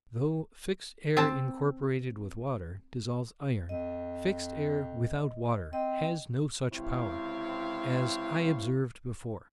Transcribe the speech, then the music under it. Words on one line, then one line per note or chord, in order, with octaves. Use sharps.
Though fixed air incorporated with water dissolves iron, fixed air without water has no such power, as I observed before.
C4 A5
F2 D#5
C4 D#5
C#2 C3 C4 E4 C#5 F5